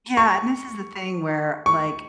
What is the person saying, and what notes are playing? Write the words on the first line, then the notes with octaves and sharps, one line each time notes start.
Yeah, and this is the thing where, like,
C#6
C#6